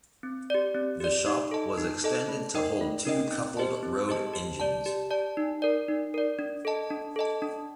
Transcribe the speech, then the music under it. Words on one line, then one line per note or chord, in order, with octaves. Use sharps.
The shop was extended to hold two coupled road engines.
C4
G4 D5
C4
G4 D5
D#4
A4 D#5 A5
D#4
A4 D#5 A5
A3
D#4 A#4 D#5 G5
A3
D#4 A#4 D#5 G5
C4
G4 C5 D#5 A5
C4
G4 C5 D#5 A5
G4
D5 A5
G4
D5 A5
D#4
A#4 D5
D#4
A#4 D5
D4
A4 D#5 A5
D4
A4 D#5 A5
D4